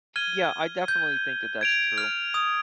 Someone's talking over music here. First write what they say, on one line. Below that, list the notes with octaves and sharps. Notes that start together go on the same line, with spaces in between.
Yeah, I definitely think that that's true.
F6 G#6 D#7 G7
G6
G#6 D7 F7
F6
D#6